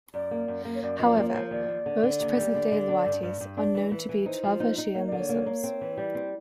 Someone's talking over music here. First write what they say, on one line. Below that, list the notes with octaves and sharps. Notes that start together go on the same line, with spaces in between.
However, most present-day Lawatis are known to be Twelver Shia Muslims.
F#2 D5
A#3
F#2
A#3
C#5
F#2 D5
F3 D#5
D5
A#3 D5
C#5
F3
C#5
D#2 D5
D#2
D3
D3
D#2
G3
D3
D3
D4
G2
G2
G2
D4
E3
E3
E3
D#4 C5
F3
D#4
D#4
A#3 C#5
D5
D3
C#5
A#3
A#3
C4
E3
G3
C4